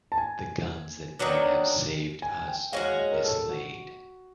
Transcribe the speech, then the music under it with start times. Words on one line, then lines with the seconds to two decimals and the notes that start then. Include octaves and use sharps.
The guns that might have saved us are mislaid.
0.12 A5
0.18 G#5
1.19 D#3 F#3 B3 D4
2.22 G#5
2.48 G5
2.72 G#3 C#4 F#4 F5
2.99 D#5
3.12 A#4
3.24 A4
3.50 F#4